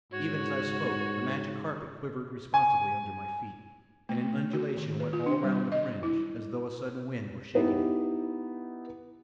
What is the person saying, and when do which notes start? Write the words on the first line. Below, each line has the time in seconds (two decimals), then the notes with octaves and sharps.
Even as I spoke the magic carpet quivered responsively under my feet, and an undulation went all round the fringe as though a sudden wind were shaking it.
0.12 G#2 F#4 C#5
2.54 G#5
4.09 A3
4.53 F#4
4.77 D#3
5.00 B4
5.13 F4
5.26 D4
5.43 G3
5.72 D#5
6.03 E4
7.55 B3 D#4 E4 G4